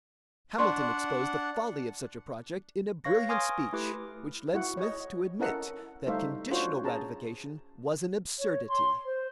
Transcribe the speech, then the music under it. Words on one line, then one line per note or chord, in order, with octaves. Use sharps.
Hamilton exposed the folly of such a project in a brilliant speech, which led Smith to admit that conditional ratification was an absurdity.
D4 D5 F#5 C6 C#6
B4 C#5 F5 C#6 A#6
G#5 C6 D6 D#6 F6 G#6
A3 E4 G4 B4 D6
E4 F#4 F#5
C#5 D#5
C#4 E4 A4 A#4 D#5 F#5
G3 A3 D#4 C5 E5 F5
C#4 D4 F4 F#4 C5 C#5
C#4 G#4 A5 A#5
C#5
C6
C5